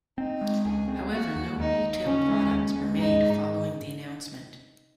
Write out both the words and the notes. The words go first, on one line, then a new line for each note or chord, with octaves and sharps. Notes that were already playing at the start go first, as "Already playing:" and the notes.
However, no retail products were made following the announcement.
C4 D#4
G#3
C#2 G#4
C4
A#3 F#4
D#2
D#2 D#4
D#2
C#3 C#4
G#3
D#2
G#3
G#2 D#4
G#2